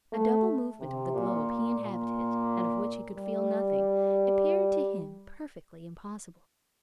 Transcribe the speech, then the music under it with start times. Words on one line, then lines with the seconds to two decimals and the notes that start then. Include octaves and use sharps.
A double movement of the globe he inhabited, and of which he could feel nothing, appeared to him perfectly impossible.
0.12 A3
0.80 C3
1.13 A#2
1.81 A#2
3.15 G3